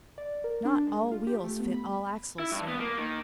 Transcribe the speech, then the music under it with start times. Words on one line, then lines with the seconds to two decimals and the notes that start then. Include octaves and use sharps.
"Not all wheels fit all axles, sir."
0.18 D5
0.44 A#4
0.65 D4
0.87 G#3
1.12 F4
1.27 G4
1.44 A3
1.60 B3
1.74 B5
2.39 E4
2.52 G2
2.68 B3
2.80 A#3
2.98 D#3